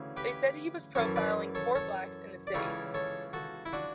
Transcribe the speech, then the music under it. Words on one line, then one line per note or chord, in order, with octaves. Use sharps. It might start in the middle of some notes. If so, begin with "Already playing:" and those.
They said he was profiling poor blacks in the city.
Already playing: D2 C#3 E3
G4 B4
F#2 E3 A4 C#5
B4 D5
A4 C#5
A4 C#5
D5
C#2 C#3 E3 A4 C#5
A4 C#5
F#4 A4
E4
D4 F#4